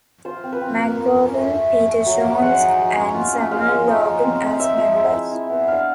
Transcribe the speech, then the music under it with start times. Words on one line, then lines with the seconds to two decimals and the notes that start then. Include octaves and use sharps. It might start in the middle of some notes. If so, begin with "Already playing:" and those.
McGowan, Peter Jones, and Samuel Logan as members.
0.25 F4 C5
0.44 C4
0.53 B4
0.61 C4
0.80 A#3
0.97 A#3
1.16 C#4
1.34 A3 E5
1.52 A3
1.70 A3
1.89 A3
2.06 F#3
2.24 F#3
2.42 G#3 F#5
2.61 D#4
2.79 G#3
2.96 C#4
3.14 F4
3.33 C#4
3.51 G#3 F5
3.69 G#3
3.87 D#4
4.06 G#3
4.23 C4
4.41 C4
4.60 D#4 E5
4.77 F3
4.95 G#3
5.14 E4
5.32 E4
5.50 B3
5.68 D4 F5